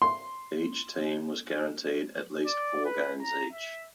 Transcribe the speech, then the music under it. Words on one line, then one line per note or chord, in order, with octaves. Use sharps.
Each team was guaranteed at least four games each.
C6
D5
B4
A#5
E5